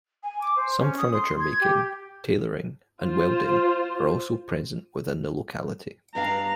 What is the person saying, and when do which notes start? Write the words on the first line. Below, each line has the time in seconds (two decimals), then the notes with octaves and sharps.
Some furniture making, tailoring and welding are also present within the locality.
0.23 G#5
0.41 D6
0.56 C5
0.79 C#4
0.97 D#6
1.13 C6
1.40 G#6
1.60 G4
3.02 F4 C5
6.15 G2 D4 F5 A#5